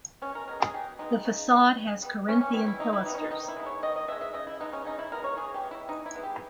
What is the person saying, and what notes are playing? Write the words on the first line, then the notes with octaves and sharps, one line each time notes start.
The facade has corinthian pilasters.
B2 C#4
A#4
G#3 B3 A#4
G#4
B2 G4
G#3 B3 D#4
C#3
G3 B3
C#3
G3 B3
E3 C#4
C#4
G3 B3 E4
E4
E3 D#4
E4
G3 B3 D#4
C#4
D#4
D#3 D#4
E4
G#3 B3
C#5
D#3 D#5
D#5
G#3 B3 E5
E5
C#3 D#5
E4
G#3 B3 D#4
C#4
C#3 D#4
E4
G#3 B3 A#4
C#5
E3 G#4
G4
G#3 B3
E4
E3 D#4
E4
G#3 B3
G4